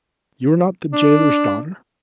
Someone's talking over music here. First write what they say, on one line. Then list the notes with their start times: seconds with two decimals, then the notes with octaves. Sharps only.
"You are not the gaoler's daughter?"
0.93 D4